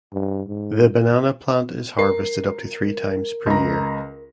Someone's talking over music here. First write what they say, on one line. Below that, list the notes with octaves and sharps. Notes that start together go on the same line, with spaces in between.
The banana plant is harvested up to three times per year.
G2
G#2
A#4 C7
C#2 A#5